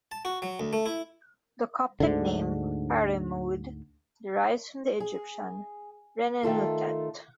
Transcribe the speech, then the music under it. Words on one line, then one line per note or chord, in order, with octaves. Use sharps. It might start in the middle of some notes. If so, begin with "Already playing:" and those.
The Coptic name "Paremoude" derives from the Egyptian Renenutet.
A5
F#4
F#3
D2
A3
E4
D2 G#2 D3
G#4
D#3 A3 F4 A4